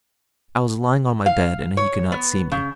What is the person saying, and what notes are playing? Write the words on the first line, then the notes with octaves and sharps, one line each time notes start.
I was lying on my bed, and he could not see me.
F5
C#5
B3
C#3